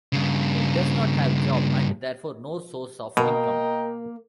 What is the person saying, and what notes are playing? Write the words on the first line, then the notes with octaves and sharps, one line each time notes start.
He does not have job and, therefore, no source of income.
G2 C#3
B2 A#3 A#4 D#5 G5 A#5